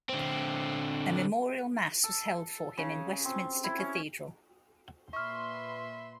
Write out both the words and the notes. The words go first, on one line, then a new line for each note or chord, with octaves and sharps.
A memorial mass was held for him in Westminster Cathedral.
D3 C4
A4
C#3
C4
E4
C#4
A#2 B4 E5 C6 C#6 F6